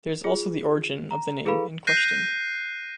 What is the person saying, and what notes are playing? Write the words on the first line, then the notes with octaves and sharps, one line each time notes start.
This is also the origin of the name in question.
F4 G#4
A#5
E4 G#4 A4 B4 F5 B5
F#6 G6 A#6 C7 D#7